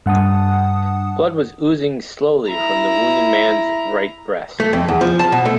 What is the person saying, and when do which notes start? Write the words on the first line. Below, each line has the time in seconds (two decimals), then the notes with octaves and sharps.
Blood was oozing slowly from the wounded man's right breast.
0.06 G2 F#5 A5 D#6
2.48 E4 A#5
4.60 A3
4.73 F2
4.88 E2
5.01 F3
5.19 A5
5.32 B2
5.45 A3